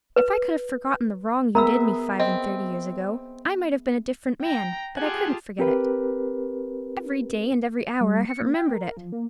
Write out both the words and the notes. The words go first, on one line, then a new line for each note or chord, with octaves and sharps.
If I could have forgotten the wrong you did me five-and-thirty years ago, I might have been a different man: but I couldn't forget it. Every day and every hour I have remembered it.
B4
B3 G#4 A#4 E5 A#5 B5 E6
C4 D#5
G5 A#5
F4 G4 G#4 F#5 G#5 A5
C4 G4 A#4 B4
G3
C#7
A#3
G5
A#4
F3
A#3